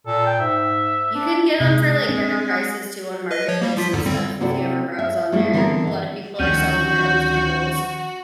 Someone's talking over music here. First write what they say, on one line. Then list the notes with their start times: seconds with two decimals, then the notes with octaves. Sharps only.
You can get 'em for, like, better prices, too on Marketplace and stuff if you ever browse on there; a lotta people are selling their old Kindles.
0.07 A#2 A4
0.26 G5
0.40 G#2 E5
1.15 D4
1.60 C3 G#3
2.09 C4 D4
3.31 B4 D#5
3.48 F3 C#5
3.62 G3 A#3
3.77 F3 F4 B6
3.93 E2 G#2 D3
4.06 D3 G3 C4
4.40 C3 C4 E4 F#4 A4 D5
4.99 E5
5.32 G3 A3 B3 E4 G#4
5.53 D3 E3 B3 C4 A4 A#4
5.87 D3
6.40 D2 D#3 F3 C#4 F#4 G6